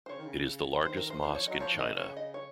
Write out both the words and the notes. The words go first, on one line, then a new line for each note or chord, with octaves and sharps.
It is the largest mosque in China.
C5
C#3 C#5
D#3
C#3
D#3 C5
A#4
C5
D#3 C5
F3
C#5
F#3 D#5
F3 C#5
D#3
D#5
C#3
C#3 C#5
D#5
C#5